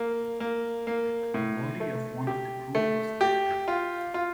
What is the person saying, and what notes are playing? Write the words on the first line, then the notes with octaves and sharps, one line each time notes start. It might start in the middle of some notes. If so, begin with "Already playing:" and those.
The body of one of the crew was there.
Already playing: A#3
A#3
A#3
A2
A3
G4
A3
G4
F4
F4